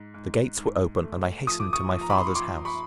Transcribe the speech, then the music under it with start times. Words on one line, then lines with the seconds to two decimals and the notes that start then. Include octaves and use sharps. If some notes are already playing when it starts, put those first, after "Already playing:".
The gates were open, and I hastened to my father's house.
Already playing: G#2
0.14 G#2
0.58 G#2
1.03 A3
1.47 F3 D#6
1.60 D6
1.73 C#6 D#6
1.91 F3
2.01 A#5
2.10 B5
2.18 C6
2.26 C#6
2.35 F3 C6 D6
2.65 B5 C#6